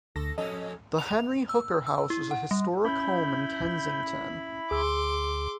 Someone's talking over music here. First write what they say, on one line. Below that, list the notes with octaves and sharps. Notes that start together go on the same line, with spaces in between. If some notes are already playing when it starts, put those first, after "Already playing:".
The Henry Hooker House is a historic home in Kensington.
D2 A4 A#6
F2 C#4 A4 D#5
F7
E6
E6
E4
F#5
G3
C#4 E4 B5 G6
D2 G#4 C6 D6 E6